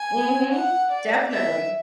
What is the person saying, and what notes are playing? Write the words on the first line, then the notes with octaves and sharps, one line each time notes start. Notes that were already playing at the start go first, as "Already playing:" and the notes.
Mhm. Definitely.
Already playing: G#5
F#5
D5
E5